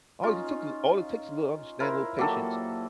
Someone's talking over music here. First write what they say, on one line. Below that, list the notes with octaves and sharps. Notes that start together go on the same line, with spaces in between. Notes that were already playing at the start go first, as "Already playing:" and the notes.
all it took a all it takes a little understanding, a little patience,
C#4 D#4 F4
E4 A#4 C5
A#2 F#3 A#3 G4 A4